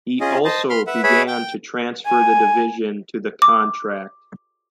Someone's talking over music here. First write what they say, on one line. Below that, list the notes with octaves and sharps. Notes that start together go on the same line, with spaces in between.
He also began to transfer the division to the "contract".
C#4 F4 G#4 D#5
C5 D#5 A5
B5 C6 F6
B4 E5 F#5
G#4 B4 C#5 E5 B5
G5
G#5
D6